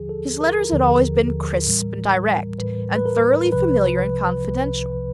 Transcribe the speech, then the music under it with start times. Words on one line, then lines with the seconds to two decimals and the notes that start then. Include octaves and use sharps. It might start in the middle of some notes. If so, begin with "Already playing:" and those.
His letters had always been crisp and direct, and thoroughly familiar and confidential.
Already playing: D#2 D3 F3 G#4
0.09 A4
0.41 A#4
0.72 D#2 D3 F3
1.65 A2 E3 G3
2.59 A2 E3 G3 B4
2.96 B4
3.06 A#4
3.52 C2 C3 F3 B4
4.46 C2 C3 F3